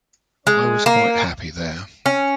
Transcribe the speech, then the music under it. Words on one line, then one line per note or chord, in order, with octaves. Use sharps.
I was quite happy there.
G#3
A#3
C#4